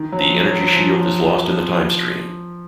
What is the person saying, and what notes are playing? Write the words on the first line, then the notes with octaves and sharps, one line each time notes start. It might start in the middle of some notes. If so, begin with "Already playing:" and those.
The energy shield is lost in the time-stream.
Already playing: D#3
F#3
F3
F#3
F#3
F3
F#3
E3
F3
F#3
F3